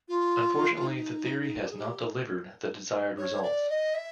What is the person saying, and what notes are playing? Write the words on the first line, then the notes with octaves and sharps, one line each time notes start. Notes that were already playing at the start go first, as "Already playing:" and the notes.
Unfortunately, the theory has not delivered the desired results.
F4
D#4
G4
G#4
G4
C#5
D5
D#5
E5